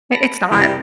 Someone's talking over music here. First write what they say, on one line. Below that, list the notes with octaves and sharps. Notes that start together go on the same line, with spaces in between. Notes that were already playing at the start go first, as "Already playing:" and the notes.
I it's not.
A5 B5 A#6
F#1 C3 E3 G3 E4